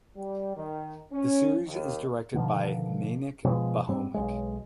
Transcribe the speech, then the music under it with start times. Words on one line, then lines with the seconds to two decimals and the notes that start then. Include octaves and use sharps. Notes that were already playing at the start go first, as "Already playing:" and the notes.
The series is directed by Mainak Bhaumik.
0.17 G3
0.56 D#3
1.12 C#4
1.65 D#2
2.34 B2 D3 D#3 F3
3.44 B2 F3 G#3
3.89 G#2 G3 C4
4.14 B1 G#3